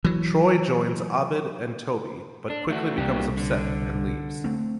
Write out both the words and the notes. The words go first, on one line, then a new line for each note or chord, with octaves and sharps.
Troy joins Abed and Toby but quickly becomes upset and leaves.
E3 F#3
D4
A3 F#4
C2 B2 A#3 D4 G4
D3
A3 C4